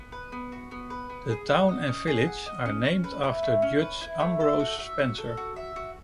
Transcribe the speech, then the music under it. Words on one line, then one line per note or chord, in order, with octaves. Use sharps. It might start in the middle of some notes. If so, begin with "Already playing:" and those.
The town and village are named after Judge Ambrose Spencer.
Already playing: B3
B4
B3
F#4
B3
B4
B3
G#4
F#5
D#5
C#4
G#4
F#5
D#5
C#4
C#4
B4
E4
A3
C#4
B4
E4
A3
A4
F#4
E5
F#4
A4
F#4
E5
F#4